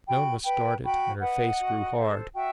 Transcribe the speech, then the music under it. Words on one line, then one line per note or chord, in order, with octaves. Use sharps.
Noma started, and her face grew hard.
F#4 G5 B5
B4 G5 B5
F#4 G5 B5
B4 D#5 F#5
F#4
A4 C5
F#4 E5 G5